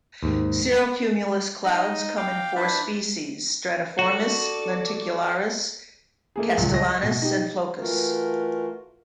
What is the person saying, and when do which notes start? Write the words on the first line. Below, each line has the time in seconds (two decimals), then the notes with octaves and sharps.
Cirrocumulus clouds come in four species: "stratiformis", "lenticularis", "castellanus", and "floccus".
0.23 D#2 G#2
1.64 D#4 D#5
2.17 F5 G5 D6
2.56 D4 E4 B4 C5 D5 E5
3.99 F#4 A4 D5
6.36 A3 A#3 G#4
6.57 D#1 C#2
6.74 D#5 A#6
7.03 B2
7.22 D#4 G4
7.79 E3 A3 F4 F#4 A#4